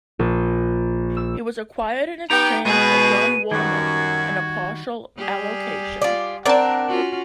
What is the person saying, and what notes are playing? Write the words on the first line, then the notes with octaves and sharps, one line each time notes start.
He was acquired in exchange for John Wolyniec and a partial allocation.
A#1
E6
B3 D#4 G4 G5 A#5
B2 G#3 G#4 B4 D#7
F#2 D#3 G3 F#4 G#6
G3 G4 G#4
F4 D5
C4 D4 A#4 D5 F#5 A5
C#4 F4 F#4